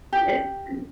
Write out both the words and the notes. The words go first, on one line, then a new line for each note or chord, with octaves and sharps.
this and
G4